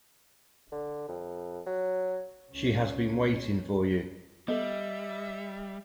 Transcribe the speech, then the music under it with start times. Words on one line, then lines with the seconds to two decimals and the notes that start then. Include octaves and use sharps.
She has been waiting for you.
0.72 D3
1.08 F2
1.66 F#3
2.51 C#2 C#4
4.48 G3 B3 A4 D#5 E5